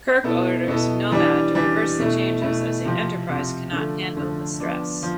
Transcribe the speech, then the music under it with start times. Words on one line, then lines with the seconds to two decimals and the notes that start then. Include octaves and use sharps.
Kirk orders Nomad to reverse the changes, as the "Enterprise" cannot handle the stress.
0.24 B2 B3 E4 A4
0.68 B2 B3 E4 A4
1.11 E3 G3 D4
1.55 E3 G3 D4
1.99 B2 A3 E4
2.42 B2 A3 E4
2.85 C3 F3 C4
3.29 C3 F3 C4
3.72 D3 F3 A3
4.16 D3 F3 A3
4.60 F3 B3 D4
5.03 F3